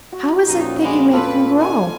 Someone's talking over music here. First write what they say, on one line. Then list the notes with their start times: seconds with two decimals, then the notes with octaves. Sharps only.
"How is it that you make them grow?"
0.12 F#4
0.47 F2 A#2 C#4 D#4
0.82 F3 G3 G#3 F#5 B5 D6
1.13 F2 F4 A4 B4 D6
1.60 D#3 D4 G#5